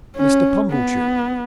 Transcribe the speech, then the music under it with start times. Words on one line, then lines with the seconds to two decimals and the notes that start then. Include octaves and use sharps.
"Mr. Pumblechook."
0.17 C#4
0.71 B3